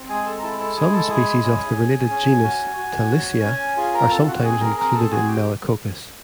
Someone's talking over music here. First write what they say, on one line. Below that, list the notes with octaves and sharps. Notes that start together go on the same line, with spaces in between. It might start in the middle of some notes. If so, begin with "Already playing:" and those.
Some species of the related genus "Talisia" are sometimes included in "Melicoccus".
Already playing: C4
G#3 G#4 G#5
A4 A5
A#5
E4 A4 A5
A4 A5
G#3 G#4 G#5
A4 A5
E4 G#4 G#5
C#4
G#4
C#4
F#4
F#4
C#4
C#4
F4 G#4 G#5
A#4 A#5
C4 A4 A5
F#4 F#5
G#4 G#5
A#4 A#5
C4 A#4 A#5
A4 A5
F#4 G#4 G#5
G4 G5